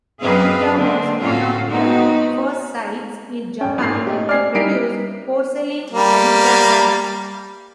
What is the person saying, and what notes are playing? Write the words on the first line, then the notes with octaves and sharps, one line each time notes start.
Arita was one of the first sites in Japan to produce porcelain, Arita ware.
F#2 C4 G#4 B4 D#5 F5
D3 A#3 C4
A2 C#4 F4 F#4 A4 F5
B3 C4 D#4 F#4
D#1 C#4 G5
G#1 A#2 C7
A#2
A3 D#4 G4
D5 G#5 F6 C7
G3 D#4 E4 B6 C7 D7
G3 A#3